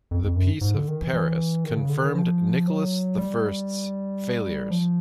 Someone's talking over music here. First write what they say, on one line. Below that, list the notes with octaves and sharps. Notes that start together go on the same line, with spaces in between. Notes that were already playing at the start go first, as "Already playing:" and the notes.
The Peace of Paris confirmed Nicholas the First's failures.
F2
F2
F#2
G#2
D3
D#3
E3
E3
D#3
C#3
D3
D#3
F3
F#3
G3
F3